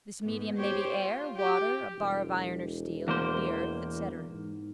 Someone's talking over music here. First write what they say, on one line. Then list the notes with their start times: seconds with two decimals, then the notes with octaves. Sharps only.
This medium may be air, water, a bar of iron or steel, the earth, etc.
0.22 G#2 B3
0.57 G4 C5 C#5
0.91 F4
1.36 G4
1.97 E1
3.08 E2 A#3 C5
4.30 G#2